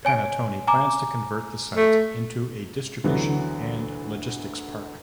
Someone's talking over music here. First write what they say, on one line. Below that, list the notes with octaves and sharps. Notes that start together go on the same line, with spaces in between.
Panattoni plans to convert the site into a distribution and logistics park.
C#5 G#5 D7
G#5 A#5 D6
A3
D2 D3 E3 F#3 B3